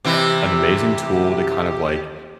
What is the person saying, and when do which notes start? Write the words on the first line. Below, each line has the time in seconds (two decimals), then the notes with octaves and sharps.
uh, an amazing tool to kind of, like,
0.04 C3 E3 E4 G4